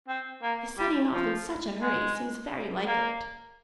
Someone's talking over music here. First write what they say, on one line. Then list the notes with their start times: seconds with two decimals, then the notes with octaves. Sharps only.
His setting off in such a hurry seems very like it.
0.08 C4
0.42 A#3
0.78 G3
1.12 F3
1.82 G#3
2.87 A#3